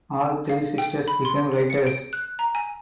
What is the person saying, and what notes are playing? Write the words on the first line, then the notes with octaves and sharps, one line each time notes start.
All three sisters became writers.
F5
G5
B5
C6
C#7
D7
F#6
A#5
G#5